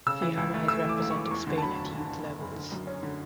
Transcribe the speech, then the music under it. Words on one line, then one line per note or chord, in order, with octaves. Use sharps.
Fiamma has represented Spain at youth levels.
C#3 E6
E3
C#2
A3
A3 E6
E3 D6
C#2
E3 C#6
D6
E2 C#6
D3
A5
F#3 B5
F#1
D3
F#1
E2
F#1
D3
F#2
C#4
D3